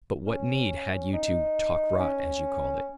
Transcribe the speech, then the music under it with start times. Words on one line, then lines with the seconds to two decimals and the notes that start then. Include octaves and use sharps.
"But what need had you to 'talk rot,' as you call it?"
0.27 C#4
1.13 D#4
2.00 C#4